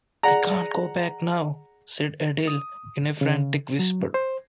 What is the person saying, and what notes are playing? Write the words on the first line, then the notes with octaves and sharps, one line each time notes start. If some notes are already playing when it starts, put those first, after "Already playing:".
"We can't go back now," said Adele in a frantic whisper.
G#4 D5 F#5 A#5
D#6
C#3
F#3
C5